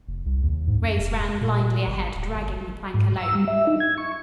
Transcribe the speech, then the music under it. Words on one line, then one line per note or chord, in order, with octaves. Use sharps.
Grace ran blindly ahead, dragging the plank alone.
F1
C2
D#2
G#2
F#2
E1
A#2
G1
D1
G1
G#2
E6
G3
E5
D#4
G#6
C#6